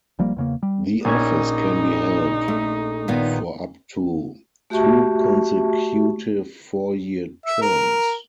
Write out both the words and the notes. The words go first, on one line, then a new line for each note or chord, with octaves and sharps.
The office can be held for up to two consecutive four-year terms.
G#1 F3 G3 A#3
E2 C#3 A#3
G3
A#1 C#4 D#4 G#6
A3
A#2 D#3 B3
A3 F#4 G4 E5 A5 C#6
E5
A#4